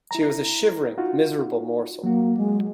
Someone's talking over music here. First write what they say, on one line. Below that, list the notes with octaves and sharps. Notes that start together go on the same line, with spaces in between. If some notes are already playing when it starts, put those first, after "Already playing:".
She was a shivering, miserable morsel.
E4 A#5
D#4 F4 F#4
F#3 A#3 F#4
G#3